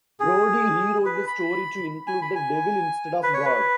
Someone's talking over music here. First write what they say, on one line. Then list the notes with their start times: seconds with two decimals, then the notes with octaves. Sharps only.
Brody re-wrote the story to include the Devil instead of God.
0.20 G#4
1.06 B4
1.27 B5
2.07 G#5
2.22 B5
2.35 G#5
3.23 B4
3.34 C#5
3.45 B4